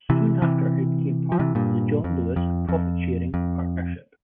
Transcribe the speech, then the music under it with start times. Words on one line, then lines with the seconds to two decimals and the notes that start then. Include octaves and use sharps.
Soon after it became part of the John Lewis profit sharing partnership.
0.10 C3 E3
0.42 C3 E3
1.32 F3
1.39 C3 E3
1.55 G2 A#2
2.04 F2
2.36 F2
2.69 F2
3.34 F2